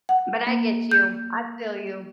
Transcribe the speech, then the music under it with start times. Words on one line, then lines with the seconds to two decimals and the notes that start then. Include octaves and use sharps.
But I get you, I feel you.
0.09 F#5
0.47 A#3
0.91 G6